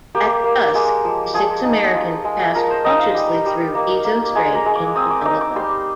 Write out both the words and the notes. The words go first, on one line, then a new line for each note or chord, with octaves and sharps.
At dusk, the six Americans passed cautiously through Gizo Strait into Vella Gulf.
A#3 G4
A#3
G#3
F3
F3 G#4
D#4
F4
G#3
F3 A#4
C5
D#4 D#5
F5
G3 G5
G3
A#3
A#3
G#3 G#5
A#5
G#3
D6
C4 D#6
D6
D#4 D6
D6
G3 C6